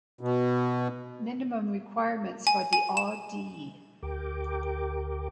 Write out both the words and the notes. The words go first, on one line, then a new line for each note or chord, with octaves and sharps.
Minimum requirements for the Au.D.
B2
G#5
G#5
E7
D2 G4 A#4 G5 D6